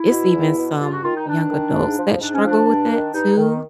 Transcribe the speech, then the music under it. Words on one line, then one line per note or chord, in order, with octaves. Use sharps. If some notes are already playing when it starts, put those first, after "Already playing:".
It's even some young adults that struggle with that too.
Already playing: E4
B2
E2
B2
G2 F4
F#4
D#3 F4
D#4
G2 D4
D#3
G#2
F3
G#2 D4
C#4
F3 D4
G2
D#3
G2 D#4
D#3